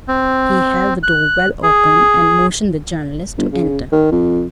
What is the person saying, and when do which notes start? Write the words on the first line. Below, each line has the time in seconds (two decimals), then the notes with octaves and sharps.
He held the door well open, and motioned the journalist to enter.
0.08 C4
1.03 F#6
1.63 G#4
3.38 G1
3.53 C#3
3.92 D#3
4.11 F2